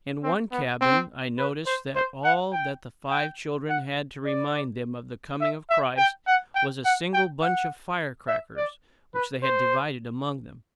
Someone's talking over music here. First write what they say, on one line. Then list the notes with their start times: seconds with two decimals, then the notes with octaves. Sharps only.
In one cabin I notice that all that the five children had to remind them of the coming of Christ was a single bunch of firecrackers, which they had divided among them.
0.23 C4
0.52 B3
0.81 C4
1.38 B4
1.66 C5
1.95 C5
2.24 F#5
2.52 G5
3.10 G5
3.69 F#5
4.25 D5
5.41 E5
5.70 E5
5.97 G5
6.27 F#5
6.55 G5
6.85 F#5
7.14 G5
7.42 F#5
8.28 E5
8.57 D5
9.14 B4
9.43 C5